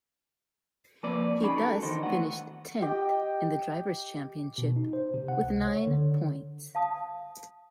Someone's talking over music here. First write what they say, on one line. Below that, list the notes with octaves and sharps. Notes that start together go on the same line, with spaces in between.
He thus finished tenth in the Drivers' Championship with nine points.
F3 A#3 C4 B4 D5
C#4 D#4 G#4 B5
F#4 A4 A#4
D#3 E3 D4 D#4 C5
A3 B3 F#4 F#5
G4 D#5 G5
B2
D#4
C5
C3
F#5
C#2
C#5
D3
F5 A5 D#6